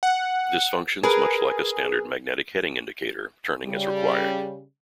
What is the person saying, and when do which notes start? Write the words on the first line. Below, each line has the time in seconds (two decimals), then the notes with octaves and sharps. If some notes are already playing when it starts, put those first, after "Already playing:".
This functions much like a standard magnetic heading indicator, turning as required.
0.03 F#5
1.03 G#4 A#4 B4
3.64 C#3 G3